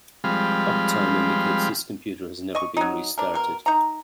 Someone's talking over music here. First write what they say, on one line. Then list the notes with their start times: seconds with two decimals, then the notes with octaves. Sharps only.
Uptime indicates this computer has never been restarted.
0.24 F3 G3 G#3 C4 F5 B5
2.55 D#5 C#6
2.77 F#3 D#4
3.18 D4 A#4
3.34 B2 A#4
3.66 D#4 A#5